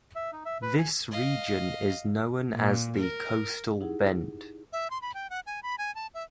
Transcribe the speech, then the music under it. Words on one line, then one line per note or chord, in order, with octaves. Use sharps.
This region is known as the Coastal Bend.
E5
D#4
E5
B4
G#5
D#5 F5
A#2
A#4
D#4 E4 G4 G#4 F#5
E5
C6
B5
G5
F#5
G#5
B5
G#5
A5
E5